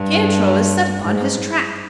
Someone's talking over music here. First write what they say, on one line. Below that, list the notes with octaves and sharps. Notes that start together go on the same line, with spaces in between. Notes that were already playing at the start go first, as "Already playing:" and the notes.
Pietro is set upon his track.
Already playing: G2
G#2